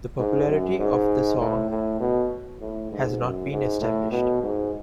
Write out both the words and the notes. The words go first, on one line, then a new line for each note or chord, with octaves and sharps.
The popularity of the song has not been established.
G#2
F#2
G#2
A2
A2
B2
A2
G#2
F#2
G#2
A2
B2
G#2